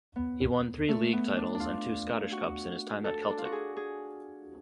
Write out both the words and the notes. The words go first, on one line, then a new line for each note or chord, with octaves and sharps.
He won three League titles and two Scottish Cups in his time at Celtic.
B3
A3
B3
D4
D4
F4
F#4
A4
D4
F4
F#4
G#4
G#4